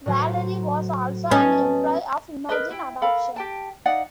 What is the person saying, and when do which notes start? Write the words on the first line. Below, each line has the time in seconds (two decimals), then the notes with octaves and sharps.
Valerie was also an employee of Imagine Adoption.
0.06 A2 F#3 C5
1.31 B3 C#4 D#5 A5
2.49 A#4 B4 D#5
2.71 E4 G5
3.02 A4 A#4 F5 B5
3.36 G4 G5 A5
3.85 D#4 D5 F5 F#5